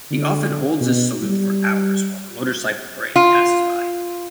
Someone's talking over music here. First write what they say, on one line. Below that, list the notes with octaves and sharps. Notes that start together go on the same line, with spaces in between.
He often holds his salute for hours while the motorcycle parade passes by.
D3
B2
G3
F4